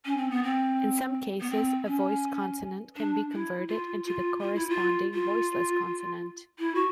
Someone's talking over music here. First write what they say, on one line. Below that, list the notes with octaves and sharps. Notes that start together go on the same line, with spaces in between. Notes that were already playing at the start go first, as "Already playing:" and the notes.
In some cases, a voiced consonant can be converted into the corresponding voiceless consonant.
C#4
C4
B3
C4
B3
C4
C#4
D4
E4
F4
F4
F4
E4
F4
F4
E4
F#4